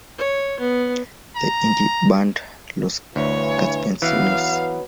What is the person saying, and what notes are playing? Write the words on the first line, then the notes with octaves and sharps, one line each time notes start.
The indie band Los Campesinos!
C#5
B3
A#5
D2 G2 E3 C#5
E3 F#3 B3 F5